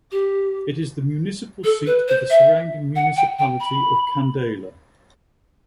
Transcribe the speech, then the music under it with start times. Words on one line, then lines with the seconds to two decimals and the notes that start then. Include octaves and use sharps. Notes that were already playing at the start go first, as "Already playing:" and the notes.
It is the municipal seat of the surrounding municipality of Candela.
0.12 G4
1.64 A4
1.86 B4
2.08 C5
2.30 E5
2.96 F#5
3.16 G5
3.39 G5
3.60 B5